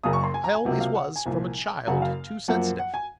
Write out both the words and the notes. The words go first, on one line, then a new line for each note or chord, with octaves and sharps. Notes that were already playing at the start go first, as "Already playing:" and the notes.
I always was, from a child, too sensitive.'
F#1 F#2 C#3 D#6
C#6
C6
G#5
A#5
G#5
C#2 C3 F#3 A#3 F#5
F5
F#5
G#5
C2 A#2 F3
F#1 F#2 C#3 F#3 F#5
F5
F#2 F3 A#3 F#5
F#5
G#5